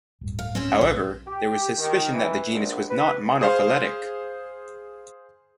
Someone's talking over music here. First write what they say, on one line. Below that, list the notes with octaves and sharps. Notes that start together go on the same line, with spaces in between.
However there was suspicion that the genus was not monophyletic.
D1 G2
F5
C4 C#4 C5
A#1 F4
G4
D#3
E3
A#1
B4
G#4 C5 F5